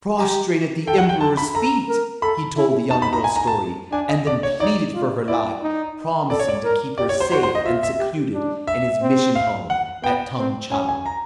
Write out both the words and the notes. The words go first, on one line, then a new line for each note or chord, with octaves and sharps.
Prostrate at the emperor's feet, he told the young girl's story, and then pleaded for her life, promising to keep her safe and secluded in his mission-home at Tung-Chow.
G4 A#5
A4 G5
F#5
G5
A4 A5
B5
A4 A#5
A#4
A4 B5
E4
D#4 A5
B5
A#5
G#5
A#5
A5
D4 G#5
D#5
D4 D5
C#5
D#4 D5
F4
E4 D5
D#4
A4 D5
C#5
D5
A#4
G4 D5
C#5
C5
F#4 C5
C5
D#5
F4 E5
E5
G4
D4
E5
C4
F5
F#5
B3 G5
C4
C#4 G#5
G#5
A#5